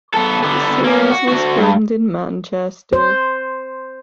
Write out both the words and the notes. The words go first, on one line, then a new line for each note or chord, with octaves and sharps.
The series was filmed in Manchester.
B3 A4
D3 B3
A#3 C#4
F#4
D2 F#4
G2
C5